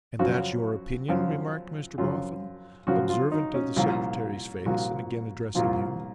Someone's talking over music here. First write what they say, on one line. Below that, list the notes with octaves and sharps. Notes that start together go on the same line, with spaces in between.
'And that's your opinion?' remarked Mr Boffin, observant of the Secretary's face and again addressing him.
F#2 C#3 F3 F#4
F#2 C#3 F3
F#2 C#3 F3 F4
F#2 C#3 F3 F#4
F4
D#4
C#4
C2 A#2 F3
C2 A#2 F3 F#4
C2 A#2 F3 F4